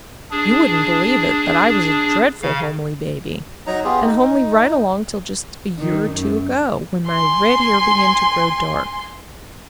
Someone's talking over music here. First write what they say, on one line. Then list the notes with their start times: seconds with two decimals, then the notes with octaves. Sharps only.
You wouldn't believe it, but I was a dreadful homely baby, and homely right along till just a year or two ago, when my red hair began to grow dark.
0.31 D4 G#4
2.42 C#3 F5
3.67 F#3 D#4 A#5
3.84 B3 F4 G4 G#4
4.03 D#4
5.79 D#3
6.10 F#2
7.08 G#5 C6